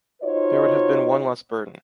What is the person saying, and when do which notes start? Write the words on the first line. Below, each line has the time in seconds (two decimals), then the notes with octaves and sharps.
There would have been one less burden.
0.22 D#4 F4 F#4 C5 C#5 D#5